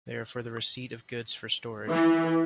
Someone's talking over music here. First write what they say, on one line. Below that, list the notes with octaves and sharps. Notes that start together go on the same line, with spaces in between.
They are for the receipt of goods for storage.
E3